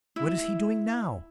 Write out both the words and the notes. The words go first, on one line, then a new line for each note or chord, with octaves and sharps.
What is he doing now?'
E4